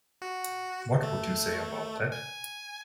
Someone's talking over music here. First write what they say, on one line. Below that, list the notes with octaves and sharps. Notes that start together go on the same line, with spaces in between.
What would you say about that?
F#4
A3
G#5